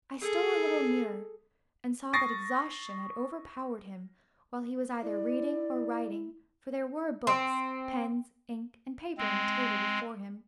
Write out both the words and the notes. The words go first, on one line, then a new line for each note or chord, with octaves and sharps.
I stole a little nearer, and saw that exhaustion had overpowered him while he was either reading or writing, for there were books, pens, ink, and paper on the table before him.
G#4 A4
C#6 D#6 A6 A#6 C7
E4 D5
C4
G#3 C4